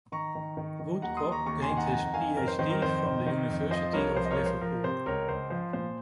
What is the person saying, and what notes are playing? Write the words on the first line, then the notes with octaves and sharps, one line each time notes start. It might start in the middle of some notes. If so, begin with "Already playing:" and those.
Woodcock gained his PhD from the University of Liverpool.
D#3 A#5 C#6
D#3
D#3
D#3
D#2 F#5 A#5
C6 D#6
D#2
A#5 C#6
D#2 A#5 C#6
G#5 C6
D#3
F#5 A#5
G#5
F2 F#5 A#5
D#3 F5 G#5
F2 A#4
C5
D#3 C5
A#4
F2 C5
D#3
D#3
F2
F3 C5 D#5
C2 A#4 C#5
F3 C5
D#5
A#4 C#5
F3
C5
F3 A#4
C3 C5
C#2 A#4 C#5
C#2 C5
F3 C5
A#2 C5